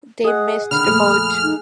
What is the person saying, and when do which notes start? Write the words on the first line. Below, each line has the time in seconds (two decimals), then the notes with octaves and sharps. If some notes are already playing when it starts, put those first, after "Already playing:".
They missed the boat.
0.24 G#4 D#5 F#5
0.71 D3 D#3 B5 F6
0.86 F2 A#2 A3
1.43 D#4